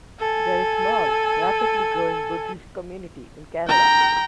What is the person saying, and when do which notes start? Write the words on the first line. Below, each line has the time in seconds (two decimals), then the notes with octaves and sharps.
There is a small, rapidly growing Buddhist community in Canada.
0.19 A4 G#5
3.68 G5 A#5